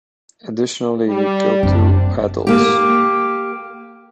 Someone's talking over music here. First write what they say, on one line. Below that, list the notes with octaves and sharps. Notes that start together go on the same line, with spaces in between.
Additionally, he killed two adults.
G3
F#1 C3 D4
A#3 G4